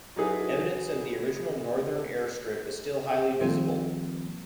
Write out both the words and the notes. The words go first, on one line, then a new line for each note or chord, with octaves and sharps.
Evidence of the original northern airstrip is still highly visible.
F#3 D#4 E4 G#4 A4 B4
D#3 F3 G3 A#3 C4